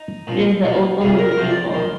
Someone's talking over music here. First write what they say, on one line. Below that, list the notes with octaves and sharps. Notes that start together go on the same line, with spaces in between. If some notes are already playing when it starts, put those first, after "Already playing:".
It is the opium of the people.
Already playing: D#4
A#2 F3
A#2 F3
F2 C3 F3 G#4
A#4
A#4
F2 C3 F3 C5
D5
D#3 C6